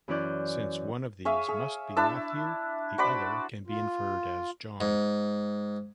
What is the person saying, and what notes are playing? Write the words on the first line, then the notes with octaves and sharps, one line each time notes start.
Since one of these must be Matthew, the other can be inferred as John.
F#2 E3 C#4 D5 F#6 G6
G#4 C#5 E5 F5
G#4
D4 E4 A5 E6
F#4 C5 D5 B5
F4
G#2